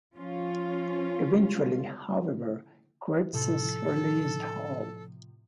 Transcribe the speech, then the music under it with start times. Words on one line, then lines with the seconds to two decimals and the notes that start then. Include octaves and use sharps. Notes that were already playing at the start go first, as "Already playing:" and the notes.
Eventually, however, Kiritsis released Hall.
0.16 F3 C#4 F4
3.33 A2 C3 F3 A4